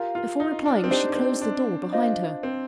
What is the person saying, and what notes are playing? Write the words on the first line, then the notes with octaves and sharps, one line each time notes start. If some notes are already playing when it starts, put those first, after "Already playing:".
Before replying she closed the door behind her.
Already playing: F4 G4 A#4 F5
F4
D#4
D4
C4
D4 D#4 G4 C5
D4
C4
D4
F4 C5 D#5
C4